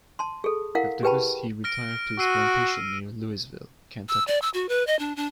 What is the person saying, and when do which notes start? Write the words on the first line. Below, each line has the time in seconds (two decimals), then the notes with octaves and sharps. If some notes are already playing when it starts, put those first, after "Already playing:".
After this he retired to his plantation near Louisville, Kentucky.
0.19 A5 C6
0.44 G#4 A4
0.75 E4 A#4 F5 F#5
1.03 G4 G#4 B4 G5 A5 B5
1.64 F6 A#6 D7
2.19 F#4 E6 C7 D#7
4.09 E6
4.28 D5
4.42 E6
4.54 F#4
4.69 B4
4.87 D#5
4.99 D4
5.16 D4